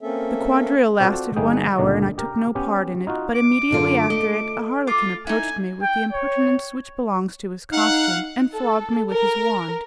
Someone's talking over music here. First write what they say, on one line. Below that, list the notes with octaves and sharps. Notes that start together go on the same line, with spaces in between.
The quadrille lasted one hour, and I took no part in it, but immediately after it, a Harlequin approached me with the impertinence which belongs to his costume, and flogged me with his wand.
A#3 C4 C#4 A4 E5
C4 F4 F#4 A4 C5 D5
G1 A#3 B3 D#4 G#4 G5
C#2 A#2 D3 D5 D#5
G4 A#4
B3 C#4 G4
D#4 F4 F#4
D6
F#2 D3 F4
A3 D#5
F4 D6
D#4 E4 G#5
G5
C#5
D#4 F5 F#5
A4
A#4